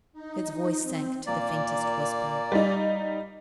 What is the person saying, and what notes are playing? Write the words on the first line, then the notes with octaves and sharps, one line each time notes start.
His voice sank to the faintest whisper.
D#4
C4
A#2 A#3 D5
G3 D#4